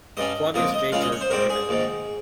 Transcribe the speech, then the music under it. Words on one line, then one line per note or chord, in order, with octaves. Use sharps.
Flavius J. George in command.
G2 G3 C#4 D#5
C#2 C3 F3 A#3 D#5
D#5
C#2 C#3 G#3 C#4 F5
D#5
C#5
C5
G#2 G3 C4 A#4
G#4
A#1 G#2 D#3